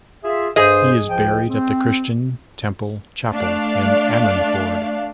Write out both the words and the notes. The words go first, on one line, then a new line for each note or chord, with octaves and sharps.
He is buried at the Christian Temple chapel in Ammanford.
F4 G#4 E5
G2 G#4 C5 D#5
C#2 F3 G5
C4
A3 D4 D5 F5